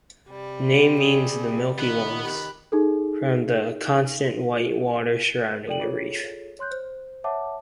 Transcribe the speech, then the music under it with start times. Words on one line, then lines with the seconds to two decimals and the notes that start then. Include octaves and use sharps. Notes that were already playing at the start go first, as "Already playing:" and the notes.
The name means "the milky ones", from the constant white water surrounding the reef.
0.29 C3 G3
0.98 G#4
1.78 D#3 B3 B4
2.22 G4 B5 F#6
2.72 D#4 G#4 A4
5.68 A4 D5 G5 F#7
5.80 F4 G#4 A4 C#5
6.59 C#5 C6 F#6 G6
6.71 C5
7.24 C#5 E5 F#5 A5 D6